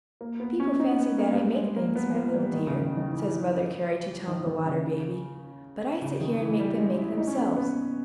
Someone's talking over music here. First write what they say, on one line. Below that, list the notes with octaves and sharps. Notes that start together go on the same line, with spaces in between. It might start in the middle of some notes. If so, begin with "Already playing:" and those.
"People fancy that I make things, my little dear," says Mother Carey to Tom the Water Baby, "but I sit here and make them make themselves!"
A#3
B3
C#4
D#4
B3
A#3
G3
G#3
A#3
B3
A#3
G3
D#3
C#3
D#3
D#3
E3
D#3
D#3
C#3
C#3
D#3
E3
G3
G#3
E4
D#4
C#4
B3
B3